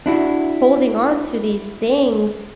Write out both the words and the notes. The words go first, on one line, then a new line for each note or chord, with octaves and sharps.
holding onto these things
D4 E4 F#4